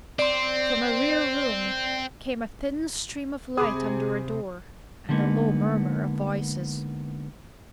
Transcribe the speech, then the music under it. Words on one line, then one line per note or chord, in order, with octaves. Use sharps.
From a rear room came a thin stream of light under a door and a low murmur of voices.
C4 D5 C6
C3 G#4 B5 D6 D#6
D3 G3 G#3 A#3 B3 D#4